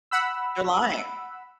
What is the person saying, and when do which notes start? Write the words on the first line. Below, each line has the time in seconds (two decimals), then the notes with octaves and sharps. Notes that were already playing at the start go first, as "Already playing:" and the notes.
They're lying.
0.11 F#5 B5 E6